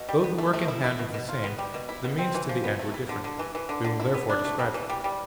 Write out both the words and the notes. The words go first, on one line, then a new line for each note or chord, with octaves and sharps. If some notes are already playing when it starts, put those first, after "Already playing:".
Though the work in hand was the same, the means to the end were different; we will therefore describe them.
Already playing: B2
G3
B3
A3
A3
E4
E4
B2
B2
F4
B3
G3
B2
E4
B2
C4
E3
F3
B3
A3
E4
D3
D3
E3
E3
D3
D3
E4
B3
D4
A3
G3
E3
G3
G3